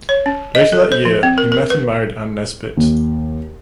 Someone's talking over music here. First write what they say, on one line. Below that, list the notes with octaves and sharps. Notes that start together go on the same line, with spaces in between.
Later that year, he met and married Anne Nesbit.
C#5
C#4
D#5
A4
C5
F3
C4
A#4
A#4
B4
D#2